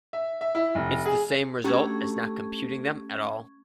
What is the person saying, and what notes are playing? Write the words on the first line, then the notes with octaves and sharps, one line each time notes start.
It's the same result as not computing them at all.
E5
E5
E4
F1
G#4
A3 C#4 D4 F#4 G4 C#6 G#6